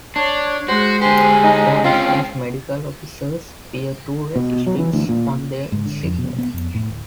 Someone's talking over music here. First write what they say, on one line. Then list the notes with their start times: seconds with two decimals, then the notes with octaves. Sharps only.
For instance, medical officers bear two red stripes on their insignia.
0.16 D4 C#5
0.68 G#3 F#4 C5
1.02 D3 G4 C5 G#5
1.44 D#4
1.84 C4 C#4 F4 G5
4.36 B2
4.67 F#3
4.79 E3
4.93 D2
5.09 A#2
5.72 G#2
5.86 D3
6.03 F2
6.18 B2
6.38 B3
6.53 F2
6.75 A2
6.90 D1